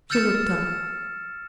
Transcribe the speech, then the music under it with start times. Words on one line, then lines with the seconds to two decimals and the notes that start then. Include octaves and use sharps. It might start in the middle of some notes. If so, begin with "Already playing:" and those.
She looked up.
0.10 E6 F6 G6 A6 C#7 E7